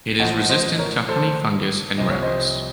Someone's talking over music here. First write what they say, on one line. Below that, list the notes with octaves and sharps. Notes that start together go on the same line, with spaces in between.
It is resistant to honey fungus and rabbits.
A1 A2 F3 D#5 F#5
C5 D#5
A#4 C#5
A4 C5
C2 C3 F3 D#5
C#5
C5 D#5